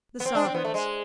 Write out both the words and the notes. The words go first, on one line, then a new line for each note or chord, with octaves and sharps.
The sovereigns!
B3
C4
D4
C4
B3
A3
G#3